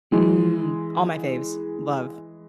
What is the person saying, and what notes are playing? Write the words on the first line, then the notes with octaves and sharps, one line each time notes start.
Mm, all my faves. Love.
E3 G#3